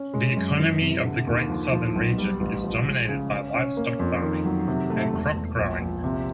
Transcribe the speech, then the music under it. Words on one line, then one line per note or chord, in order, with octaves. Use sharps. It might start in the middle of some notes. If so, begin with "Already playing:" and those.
The economy of the Great Southern Region is dominated by livestock farming and crop-growing.
Already playing: C#4
G#3
F#2
E3
C3
D3
D#2
F3
F3
B1
G3
A1
F3
G#3
C#3
C#4
C#4
A#3
F2
D#3
F#3
C3
A3
E1
E1
A#1
A#1
C3